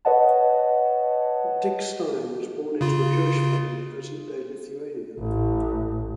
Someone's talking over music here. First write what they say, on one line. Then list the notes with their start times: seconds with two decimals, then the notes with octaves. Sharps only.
Dickstein was born into a Jewish family in present-day Lithuania.
0.05 B4 C#5 D#5 F#5 A5
2.81 C#3 F4
5.18 A1